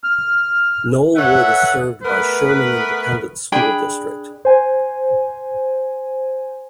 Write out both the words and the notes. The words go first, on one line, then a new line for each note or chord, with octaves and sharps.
Knollwood is served by Sherman Independent School District.
F6
A4 B4 C#5 E5 F#5
A3 B3 A#4 B4
D4 G#4 G5 B5
C5 G#5